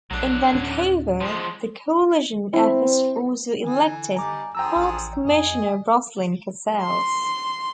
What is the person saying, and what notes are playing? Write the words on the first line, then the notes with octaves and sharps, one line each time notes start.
In Vancouver, the coalition effort also elected Parks Commissioner Roslyn Cassells.
A#1 F#3 D4
D1 C#4
F3 G#3
C4 E4
D3 E3 G#5
G3 B3 D#4 G#5 A#5 D6
D3 F3 G#4 G5 A#5 E6
A1
F2 G#4 D#5 G#5
C6